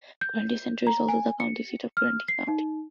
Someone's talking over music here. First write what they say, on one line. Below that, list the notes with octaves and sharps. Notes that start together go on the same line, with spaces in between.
Grundy Center is also the county seat of Grundy County.
G6
A#5
G#5
C#7
F6
C7
D#4